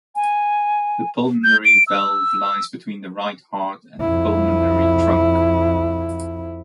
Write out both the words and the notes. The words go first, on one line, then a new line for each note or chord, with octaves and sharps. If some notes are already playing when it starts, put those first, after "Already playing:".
The pulmonary valve lies between the right heart and the pulmonary trunk.
G#5
G6
D7
E6
F2 E4